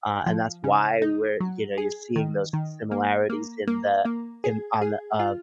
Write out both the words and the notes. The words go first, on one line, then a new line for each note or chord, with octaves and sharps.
Uh, and that's why we're you know, you're seeing those similarities in the in on the, uh,
F3
C#3
D#4
F#3
G#4
D#3
D#3
A#3
A#3
A#3
A#3
G#4
G#4
F4